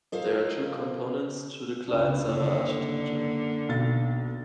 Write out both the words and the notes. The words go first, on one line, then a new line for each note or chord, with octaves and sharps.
There are two components to the client-server architecture.
F4 A4 A#4 C5 D#5 F5
C#2 D4
F#1 D3 A#3 D5
B1 A6